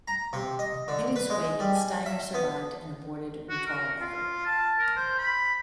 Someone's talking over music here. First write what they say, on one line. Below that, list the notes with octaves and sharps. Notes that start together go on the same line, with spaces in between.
In its wake, Steiner survived an aborted recall effort.
A#5
C3
D#5
D3
B4
G#3
G3
G#5
E5
B3
F#4
A#4
F4
A5
A#4
C5
B5